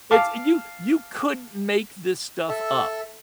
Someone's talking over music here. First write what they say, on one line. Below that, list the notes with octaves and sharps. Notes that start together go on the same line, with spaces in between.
it's you you couldn't make this stuff up.
F5 A5 D6
A4 E5